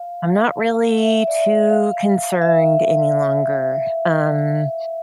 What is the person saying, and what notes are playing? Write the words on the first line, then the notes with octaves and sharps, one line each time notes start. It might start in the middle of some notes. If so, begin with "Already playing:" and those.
I'm not really too concerned any longer, um
Already playing: F5
E5
D5
E5
F5
E5